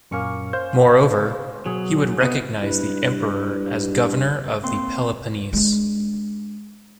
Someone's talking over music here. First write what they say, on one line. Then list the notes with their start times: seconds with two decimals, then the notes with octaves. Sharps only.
Moreover, he would recognize the Emperor as governor of the Peloponese.
0.11 F#2 A#2 A#3 C#4 C#6 C#7
0.53 C5 F5 G6
1.66 B2 F#3 G#4
2.21 B3 F#4 D#5 D#7
2.62 G2 E4 B4
4.63 A#3 C4 C6
5.53 G#3 D4